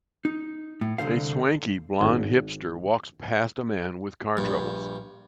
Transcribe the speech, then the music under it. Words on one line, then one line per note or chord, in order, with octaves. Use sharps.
A swanky, blond hipster walks past a man with car troubles.
D#4
A2
C2 D3 C5 F5
G#1
A#1 G2